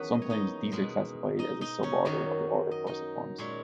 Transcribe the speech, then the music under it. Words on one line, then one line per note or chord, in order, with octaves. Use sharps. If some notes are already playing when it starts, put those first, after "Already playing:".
Sometimes these are classified as a suborder of the order Perciformes.
Already playing: E2 D#3 F#3 B3 C#4 B4
D#5
C#5
D#4 D#5
B2 G#3
D#4 D#5
D#4 D#5
C#4 C#5
F#2 D#3 F#3 C#4 C#5
D#5
D#4 D#5
A#2 G#3 C#4 C#5